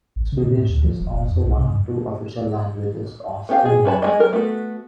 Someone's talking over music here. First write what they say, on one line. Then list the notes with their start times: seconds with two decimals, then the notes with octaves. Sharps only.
Swedish is also one of two official languages of Finland.
0.16 A1
0.32 C#3
0.43 A#2
0.58 A2
0.69 D2
0.84 F3
1.00 E1
1.14 F1
1.31 F2
1.44 B1
1.59 C3
1.70 G2
3.49 B3 C#4 G4 E5 F5
3.65 G#4
3.85 C#4 B4 A5 B5
4.02 G#3 C#4 D#5
4.20 F#3 A#4
4.33 A3 B3 F#4